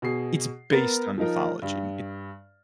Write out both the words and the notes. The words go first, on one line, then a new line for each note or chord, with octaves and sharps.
It's based on mythology, it's
B2 G#4 C7
B3 A#4 A6
F3 D#4 A#4
G2